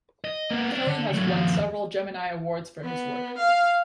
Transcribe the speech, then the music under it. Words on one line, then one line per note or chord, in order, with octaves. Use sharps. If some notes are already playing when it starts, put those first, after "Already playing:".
Kelley has won several Gemini Awards for his work.
D#5
A#3 B3
C#4 D5
D3
F#3 A3
D#2 F3
B3
F5